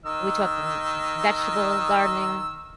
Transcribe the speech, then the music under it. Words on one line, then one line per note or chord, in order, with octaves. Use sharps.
are we talking vegetable gardening?
D#3 D#5 E6